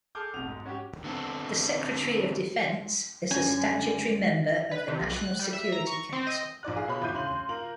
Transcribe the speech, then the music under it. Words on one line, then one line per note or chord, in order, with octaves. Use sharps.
The Secretary of Defense is a statutory member of the National Security Council.
G#4 A4 D6 F6 G6
F1 B1 F2 F#4 D#6 F7
G#2
C#4 F#4 G4
D3 B3 C4 A4
F#2 D3 G3 C#4 G#5
B4
C3
B1
F#6
G3
E5
A#5
C#6
C4
D#5
A#1 D#4 D5 F#6
F4 G#4 F5
B2 F4 C#5 B5 F#6
G1 A#2 E4 G6 D#7
C#3 C6 F#7
A#3 F4 A#4 F#7